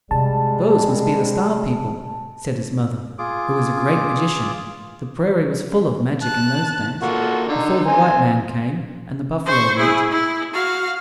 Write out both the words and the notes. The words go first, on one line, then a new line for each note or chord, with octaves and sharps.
"Those must be the Star-people," said his mother, who was a great magician--the prairie was full of magic in those days, before the white man came and the buffalo went.
C3 G3 G#3 A5
F4 G#4 D6
A5 F#6
A#3 F4 F#4 A4
D3 D#4
C4 G#5
C5 C#6
E4 G#4
E4
F#4 F5